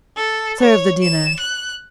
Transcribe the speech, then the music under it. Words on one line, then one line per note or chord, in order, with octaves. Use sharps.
"Serve the dinner."
A4
C#5
E7
F#6